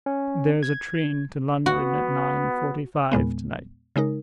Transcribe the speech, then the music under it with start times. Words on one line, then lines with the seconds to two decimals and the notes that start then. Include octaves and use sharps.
There is a train to London at nine forty-five to-night.
0.06 C#4
0.63 G#6
1.66 B3 F#4
3.12 E2 A#2 G#3 B3
3.96 C#3 G#3 D#4 A#4